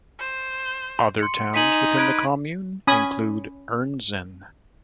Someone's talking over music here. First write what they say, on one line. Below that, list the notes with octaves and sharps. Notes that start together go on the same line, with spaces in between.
Other towns within the commune include Ernzen.
C5
C6 C#7
D#4 G#5 B6 D#7 F#7
B4 F#6 G#6 D7
C#4 G#5 B5 D#6